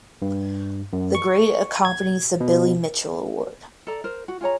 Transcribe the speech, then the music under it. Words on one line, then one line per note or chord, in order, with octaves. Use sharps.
The grade accompanies the Billy Mitchell Award.
G2
F#2
C#6
G#6
B2
A4 D5 A#5
A#4 C5
F#4
F4 G#4 C#5 A#5